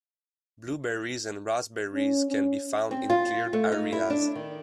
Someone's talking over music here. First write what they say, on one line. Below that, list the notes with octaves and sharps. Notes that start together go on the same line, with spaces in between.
Blueberries and raspberries can be found in cleared areas.
C#4
C#4
C4
F4
A3
D#4
E4
D4
D#3